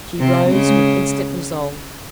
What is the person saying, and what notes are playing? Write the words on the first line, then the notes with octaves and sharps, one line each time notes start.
She rose with instant resolve.
C3 C4
C#3 G#3